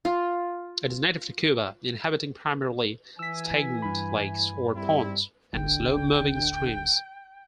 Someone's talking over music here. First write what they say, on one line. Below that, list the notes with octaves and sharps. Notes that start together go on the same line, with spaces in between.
It is native to Cuba, inhabiting primarily stagnant lakes or ponds and slow-moving streams.
F4 F5
E3 G#5 E6 B6
G2 B5
G3 C4 E4
D1 G1 D2 D3 G5